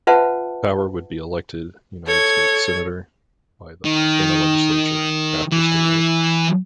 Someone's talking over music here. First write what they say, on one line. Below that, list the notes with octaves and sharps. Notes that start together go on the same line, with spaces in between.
Power would be elected United States Senator by the Montana Legislature after statehood.
F4 B4 C5 E5 F#5 A5
A4 C#5 G#6
D#3
E3